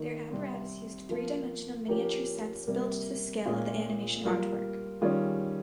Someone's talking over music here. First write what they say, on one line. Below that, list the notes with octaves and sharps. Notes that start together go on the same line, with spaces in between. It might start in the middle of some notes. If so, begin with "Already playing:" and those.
Their apparatus used three-dimensional miniature sets built to the scale of the animation artwork.
Already playing: D#3 A#3 D#4
C3 G3 C4
F3 A#3 F4
F3 A#3 C#4 G4 A#4
C3 G3 A#3
A#2 G#3 C#4 F4
G3 A#3 F4 A#4
D#3 G3 C#4 F4 G#4